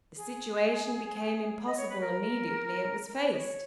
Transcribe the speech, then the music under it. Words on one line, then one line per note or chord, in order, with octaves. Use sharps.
The situation became impossible immediately it was faced.
G#4
D#5
C#5
B4
A#4
A#4
B4
D#5
C#5